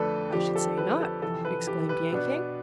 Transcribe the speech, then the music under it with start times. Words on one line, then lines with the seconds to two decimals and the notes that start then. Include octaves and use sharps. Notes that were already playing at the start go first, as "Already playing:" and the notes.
"I should say not!" exclaimed Yank-Yank.
Already playing: F2 D3 A3 D4 A4 B4
0.32 F2 D3 F3 C4 G4
0.56 A4
0.78 B4
1.00 A4
1.22 F2 C3 E3 A4
1.45 B4
1.67 G4
1.89 B4
2.12 B2 B3 D4